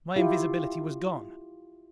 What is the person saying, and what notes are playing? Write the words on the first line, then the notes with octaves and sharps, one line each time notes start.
My invisibility was gone!
E4 F4 G4